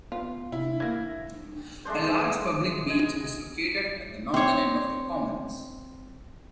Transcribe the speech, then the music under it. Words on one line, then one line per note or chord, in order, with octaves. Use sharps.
A large public beach is located at the northern end of the Commons.
B3 F4
C3 E4
E3 A#3 G#6 A#6
G#3 A3 D4 C5
B3 D6
D#6
D#5 G#5
C4 C#5